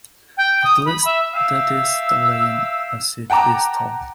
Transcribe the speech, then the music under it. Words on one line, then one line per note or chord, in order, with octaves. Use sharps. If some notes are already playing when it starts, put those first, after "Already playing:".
At least that is the legend as it is told.
G5
D#6
B5
E5
E5 F5 G5 E6
F#5 G5 A5 A#5 D6